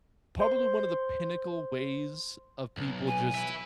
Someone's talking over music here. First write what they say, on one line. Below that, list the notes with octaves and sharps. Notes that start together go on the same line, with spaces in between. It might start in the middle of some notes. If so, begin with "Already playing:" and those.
probably one of the pinnacle ways of people just
C5 C6
B1
G#5
B4 E5